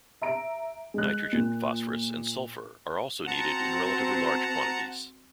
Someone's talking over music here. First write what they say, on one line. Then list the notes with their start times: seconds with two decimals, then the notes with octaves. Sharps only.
Nitrogen, phosphorus, and sulfur are also needed in relatively large quantities.
0.22 E5 A#5 D7
0.94 G#3 F#6
1.32 A#2
3.27 C4 F#4 F#5 A5 A#5